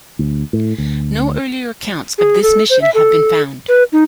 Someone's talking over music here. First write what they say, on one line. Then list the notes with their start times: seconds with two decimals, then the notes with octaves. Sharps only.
No earlier accounts of this mission have been found.
0.19 D2
0.53 A2
0.78 D2
2.18 G#4
2.42 A4
2.70 C5
2.82 E5
2.94 A4
3.68 B4
3.92 D#4